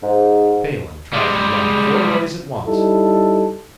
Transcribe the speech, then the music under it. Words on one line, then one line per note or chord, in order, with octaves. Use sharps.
Phelan tried to run four ways at once.
G#2
G3 G#3
G3 D#4 E4 A4